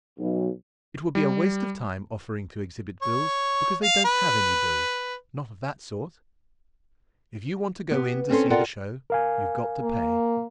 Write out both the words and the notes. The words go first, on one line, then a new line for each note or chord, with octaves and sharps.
It would be a waste of time offering to exhibit bills, because they don't have any bills--not of that sort. If you want to go in to see the show, you've got to pay.
B1
G3
C#5
F5
B4
B3 G4
C4 C#4 A4 C5
F4 A4 A#4 D5 F#5 G5
A#4 F5 G#5
A#3